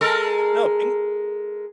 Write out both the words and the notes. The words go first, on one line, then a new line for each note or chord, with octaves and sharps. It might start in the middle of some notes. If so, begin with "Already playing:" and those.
No, ping
G#3 A4 A#4